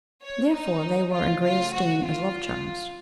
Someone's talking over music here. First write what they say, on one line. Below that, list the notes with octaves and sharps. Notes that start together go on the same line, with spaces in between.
Therefore they were in great esteem as love charms.
C#5
D#4
C#3 F3 A3 F4
F4
F#4
F4